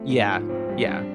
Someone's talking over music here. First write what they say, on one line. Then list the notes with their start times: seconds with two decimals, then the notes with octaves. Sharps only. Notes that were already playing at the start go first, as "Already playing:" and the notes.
Yeah, yeah.
Already playing: F3 A3 C4
0.09 G#2
0.29 F3
0.49 C4
0.69 G3
0.87 D4